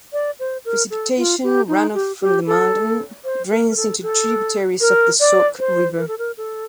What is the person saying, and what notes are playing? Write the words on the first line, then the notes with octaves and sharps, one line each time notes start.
Precipitation runoff from the mountain drains into tributaries of the Sauk River.
D5
C5
A#4
A4
F4
G4
D#4
G4
G4
A4
C5
A#4
A#4
A4
A4
A#4
D5
C5
A#4
A4
A#4
A4